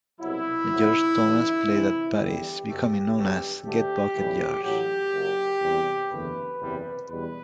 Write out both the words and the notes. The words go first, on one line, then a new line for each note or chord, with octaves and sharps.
George Thomas played at parties, becoming known as "Gut Bucket George".
C2 B2 F#3 E4
D2 C3 F#3
A1 G2 D3
D2 C3 E3
E2 D3 G3 G4
F#1 F#2 D3 A3
G1 G2 F#3 A3
D2 D3 A3 G4
B1 A2 E3 G3
A1 A2 F#3 G4
F#1 F#2 F#3
E2 C3 G3
F#1 E2 D3 A3 B4
F#1 E2 C3 G3
E2 B2 G3 B4